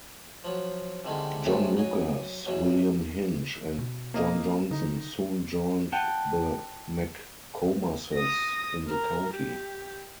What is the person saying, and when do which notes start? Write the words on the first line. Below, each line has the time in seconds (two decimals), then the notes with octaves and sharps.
John Lucas, William Hinch, and John Johnson soon joined the McComases in the county.
0.44 F3 F#3
1.05 C2 D3 D#3 G3 G#3
1.46 C3 F#3 G#3 A3
1.77 F#3 D#5 G#5
2.46 E2 B2 F#3
3.79 B2
4.14 A#3 D#5 F5
4.71 D3 D#4
5.92 F#5 G5 A5
8.14 D#6 A#6
8.87 A#4
9.34 G4